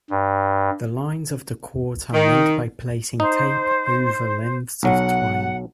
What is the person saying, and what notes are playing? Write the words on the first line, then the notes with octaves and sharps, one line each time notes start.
The lines of the court are made by placing tape over lengths of twine.
G2
D#3
D#4 C5
B1 F#3 F#5